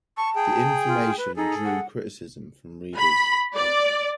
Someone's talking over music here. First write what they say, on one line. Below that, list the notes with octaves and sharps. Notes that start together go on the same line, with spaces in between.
The information drew criticism from readers.
A5 C#6
G#4 G5
F4
B4
D#4 G#4 A4
F#5
B5
D5